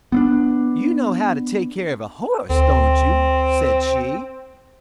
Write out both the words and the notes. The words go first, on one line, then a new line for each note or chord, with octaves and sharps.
"You know how to take care of a horse, don't you?" said she.
B3 C4 D4
D2 C4